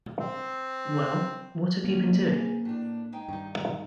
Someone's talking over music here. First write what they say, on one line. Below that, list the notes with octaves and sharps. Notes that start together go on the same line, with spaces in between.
Well, what have you been doing?
C4
D3 A#3 C#4 D4
G#4
A2 D4
G#3 D#4 G5
G2 D#3 D#4